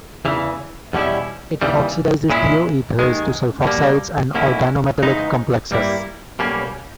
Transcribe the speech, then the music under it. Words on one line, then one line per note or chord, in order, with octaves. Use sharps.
It oxidizes thioethers to sulfoxides and organometallic complexes.
E2 C#3 E3
E2 B2 G3 C#4 E4
D#2 C#3 E3 G3
A#2 G#3 C#4 E4
D#2 D#3 G#3
B2 G3 A#3
B1 B2 A#3 C#4 E4
E2 C#3 G#3 B3 D#4
G2 G3 A#3 E4
B1 B2 G3 A#3 C#4